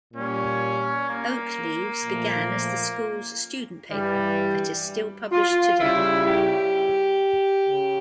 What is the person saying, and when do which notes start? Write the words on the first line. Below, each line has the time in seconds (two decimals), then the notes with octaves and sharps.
"Oak Leaves" began as the school's student paper that is still published today.
0.14 A#2 G3 C#4
1.08 A#3
2.03 A#2 F3 A3
3.91 G2 E3 G3
5.32 F4
5.80 C#3 G3 E4
6.27 G4
7.69 C#3